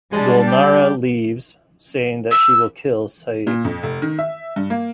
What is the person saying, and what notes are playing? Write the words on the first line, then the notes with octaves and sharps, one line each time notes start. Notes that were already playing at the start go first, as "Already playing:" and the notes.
Gulnara leaves, saying that she will kill Seid.
G3 G#3 D4
G4
E6
A#2
F2
F1
D#3
E5
G2
A#3